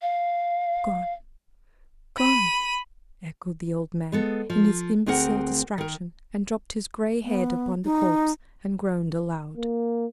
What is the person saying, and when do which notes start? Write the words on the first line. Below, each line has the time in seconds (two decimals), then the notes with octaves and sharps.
"Gone! gone!" echoed the old man, in his imbecile distraction, and dropped his gray head upon the corpse, and groaned aloud.
0.01 F5
2.17 B5 D#7
4.12 G#3 B3 A4
4.50 F3
5.06 D2 C4 G#4 A#4 F#5
5.78 D#3 A#4
7.24 B3
7.85 D#4
9.56 A#3